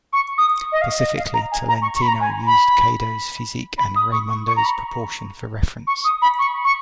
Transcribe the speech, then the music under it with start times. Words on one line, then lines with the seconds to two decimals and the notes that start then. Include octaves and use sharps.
Specifically, Tolentino used Caedo's physique and Raymundo's proportion for reference.
0.13 C#6
0.38 D#6
0.72 D#5
0.81 F5
0.99 D#5
1.17 F5
1.34 A#5
1.51 G#5
1.68 A#5
1.82 C#6
1.95 C#6
2.02 B5
2.08 A#5
2.21 G#5
2.47 B5
3.78 B5
3.96 D#6
4.12 C#6
4.29 C#6
4.48 C#6
4.56 A#5
4.65 B5
5.87 C#6
6.04 D#6
6.22 B5
6.39 C#6
6.64 C#6